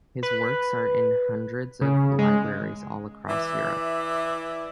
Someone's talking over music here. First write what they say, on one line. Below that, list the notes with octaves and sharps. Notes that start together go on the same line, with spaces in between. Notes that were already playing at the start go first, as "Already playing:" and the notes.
His works are in hundreds of libraries all across Europe.
B4
C#3
G#3
E3 D5 E5